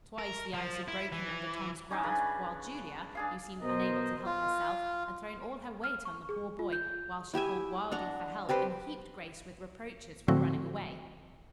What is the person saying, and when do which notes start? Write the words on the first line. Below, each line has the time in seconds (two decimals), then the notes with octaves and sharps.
Twice the ice had broken under Tom's grasp, while Julia, who seemed unable to help herself, had thrown all her weight on the poor boy, while she called wildly for help and heaped Grace with reproaches for running away.
0.19 A#4
0.54 F3
0.88 E4
1.12 E3
1.91 C#4 D#4 G#5 D6
2.03 C#3 D4 B4 D6
3.15 D4 G#4 F5
3.61 B2 A#4 C5 D#5
4.26 F4
5.84 F6
6.05 C#6
6.29 G#4
6.59 F4
6.73 G6
7.34 E4 G4 E5 G#5
7.92 D4 F#5 A#5
8.49 C4 G4 B4 C5
10.28 A2 D3 F3 A3 C4 F#4